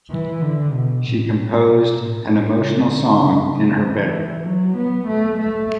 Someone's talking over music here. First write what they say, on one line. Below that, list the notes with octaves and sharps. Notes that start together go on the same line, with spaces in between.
She composed an emotional song in her bedroom.
E3
D3
B2
A2
B2
A2
A2
C#3
D3
C#3
C#3
E3
F#3
B3
A3
A3